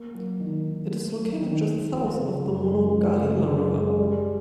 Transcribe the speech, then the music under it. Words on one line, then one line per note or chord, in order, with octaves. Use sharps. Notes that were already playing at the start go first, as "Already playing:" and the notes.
It is located just south of the Monongahela River.
Already playing: A#3
F#3
D#3
D#3
A#3
F#3
D#3
D#3
F3
C#3
F#2
G#3
F3
C#3
F#2
G#3
G3